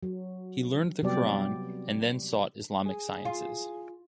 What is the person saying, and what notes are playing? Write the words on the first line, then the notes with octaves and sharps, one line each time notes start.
He learned the Qur’an and then sought Islamic sciences.
F#3
C3 F#3 G3 B3 G4 D5
G#4
F4